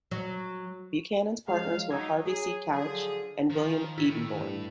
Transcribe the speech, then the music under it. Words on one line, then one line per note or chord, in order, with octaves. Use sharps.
Buchanan's partners were Harvey C. Couch and William Edenborn.
F#3
F3 F#3 G#3 F5
F#3 D#4 E6 G#6
F#3 G#4
D3 F3 G#4
D#3 F3
A2 E4
G2